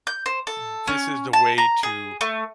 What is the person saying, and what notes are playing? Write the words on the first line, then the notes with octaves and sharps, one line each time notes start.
Eh, this is the way to
G6
C5
A4
C#4
A5
A#5
G#4
A3